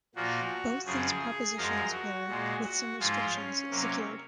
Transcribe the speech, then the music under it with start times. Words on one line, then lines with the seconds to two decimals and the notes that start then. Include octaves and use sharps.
Both these propositions were, with some restrictions, secured.
0.15 A#2 F3 A#3 F#4
0.86 F#2 C#3 F3 G#4
1.22 G#4
1.57 F#2 F3 G#3 A#4
1.92 F#4
2.29 A#2 G#3
2.64 F#4
2.99 G#2 F3 G#3 F4
3.35 C#4
3.71 C3 F#3 A#3